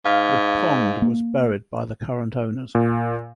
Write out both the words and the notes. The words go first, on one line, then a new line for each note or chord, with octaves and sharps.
The pond was buried by the current owners.
G#2 F5
A#3
A#2